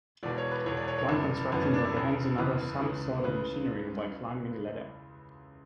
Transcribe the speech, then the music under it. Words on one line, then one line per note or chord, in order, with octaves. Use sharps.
One construction worker hands another some sort of machinery while climbing a ladder.
E1 E2 B2 D5
C#5
B4
E1 E2 B2 C#5
D5
C#5
C#5
F#1 F#2 E3 D4
F#1 F#2 E3 B3
C#4
D4
E4
F#1 E2 C#3 E3
F#1 E2 C#3 E3 B4
C#2 C#3 E3
C#3 E3 B4